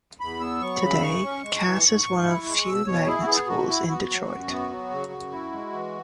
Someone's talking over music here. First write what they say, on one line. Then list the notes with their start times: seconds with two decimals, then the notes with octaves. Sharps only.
Today, Cass is one of few magnet schools in Detroit.
0.20 E2 B5
0.40 B3 E6
0.60 F#3 C#6
0.81 C#3 B5
0.93 E6
1.01 F#2 C#6
1.22 C#4
1.43 G#3
1.64 E3
1.84 G#2
2.04 G#2
2.25 E4
2.45 G#3
2.66 B2 E6
2.86 B2 C#5
3.07 E4 G#4
3.21 F#4
3.27 B3 G#4
3.47 B2 F#4
3.68 E4
3.88 B3 F#4
4.09 F#3
4.28 F#2
4.50 B3
4.70 F#3
4.90 C#3
5.11 F#2
5.31 E4
5.52 G#3
5.73 E3